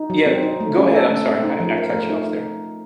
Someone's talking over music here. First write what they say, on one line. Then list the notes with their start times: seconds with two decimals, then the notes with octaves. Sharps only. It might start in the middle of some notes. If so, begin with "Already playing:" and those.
yeah, go ahead. I'm sorry. I I cut you off there.
Already playing: D#4
0.10 F#3
0.26 C4
0.43 D#4
0.61 A3
0.77 C#4
0.93 A4
1.10 A3
1.27 C4
1.44 D#4
1.60 F3
1.78 A#4
1.94 A3
2.10 D#4
2.27 D#4